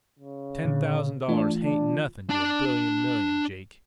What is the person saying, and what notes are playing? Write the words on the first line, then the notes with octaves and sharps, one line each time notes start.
"Ten thousand dollars hain't nothin' to a billion million, Jake."
C#3
A#2 D3
E3 A3 D4 F4
D4
D4 A5